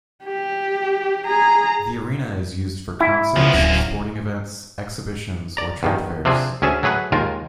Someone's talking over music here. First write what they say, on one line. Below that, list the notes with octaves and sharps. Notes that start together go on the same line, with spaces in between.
The arena is used for concerts, sporting events, exhibitions or trade fairs.
G4
G#4 A#5
E4
C#2 F3 B3
D1 F#2 A#3
D5 A#5
E2 G2 D#3
C3 F3 C4 D4 G#4
D2 C#4 G#4 E5 A5
F#3 A3 G#4 B4 F#5
D#2 D#3 G#3 F4 A#4